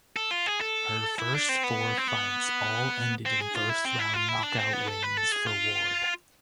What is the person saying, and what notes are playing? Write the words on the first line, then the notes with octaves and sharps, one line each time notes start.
Her first four fights all ended in first round knockout wins for Ward.
A4
F4
G#4
A4
E4
D4
C4
B3
C4
B3
C4
G#4
F4
E4
C4
E4
F4
E4
D4
C4
B3
A4
B4
A4
G#4
F4